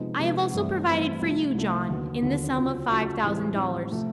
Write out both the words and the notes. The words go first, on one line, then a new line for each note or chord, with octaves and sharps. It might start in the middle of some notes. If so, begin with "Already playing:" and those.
"I have also provided for you, John, in the sum of five thousand dollars."
Already playing: C3 F3 G#3 B3 D#4
C3 F3 G#3 B3 D#4
G2 E3 A3 C4 E4
G2 E3 A3 C4 E4
C2 C3 F3 A3
C2 C3 F3 A3
D#2 D3 F#3 B3
D#2 D3 F#3 B3
C#2 C#3 F#3
C#2 C#3 F#3
A2 E3 G3 C4
A2 E3 G3 C4
C3 F3 A3